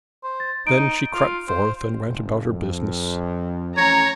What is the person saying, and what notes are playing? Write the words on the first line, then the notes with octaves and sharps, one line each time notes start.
Then she crept forth, and went about her business.
C5
A6
D#4 D7
F4
C5
F#1
F2
E3 A3 C#4 C#5 A#5